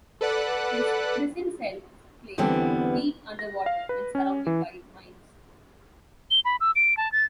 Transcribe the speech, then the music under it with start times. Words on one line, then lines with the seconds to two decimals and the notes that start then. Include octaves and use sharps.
His prison cell is placed deep underwater and surrounded by mines.
0.21 A4 B4 D5 F#5 F#6
2.38 E2 D3 E3 G3 B3 C4
3.39 A#6
3.66 F5
3.89 B4
4.15 C#4
4.47 E3
6.31 G7
6.45 B5
6.60 E6
6.75 D7
6.97 A5
7.12 A6